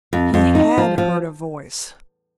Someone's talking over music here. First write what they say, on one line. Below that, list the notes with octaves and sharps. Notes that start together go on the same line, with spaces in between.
He had heard a voice.
F2
F2
D#4
F3
F3